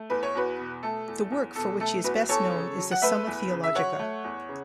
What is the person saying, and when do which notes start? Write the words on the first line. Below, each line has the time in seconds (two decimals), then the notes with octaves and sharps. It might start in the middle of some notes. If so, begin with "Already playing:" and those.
The work for which he is best known is the "Summa Theologica".
Already playing: A3
0.10 E2 B4
0.23 C#5
0.35 E2 F#4 B4
0.58 B2
0.83 A3 A4
1.08 E2
1.31 E2
1.55 B2 A4
1.80 A3 A4
2.04 E2 F#4 B4
2.29 E2 A4 C#5
2.54 C#3
2.78 F#3
2.91 F#5
3.02 A3 B4 E5
3.27 E2
3.51 C#3
3.64 E5
3.75 F#3 C#5 F#5
3.99 A3
4.24 E2
4.49 C#3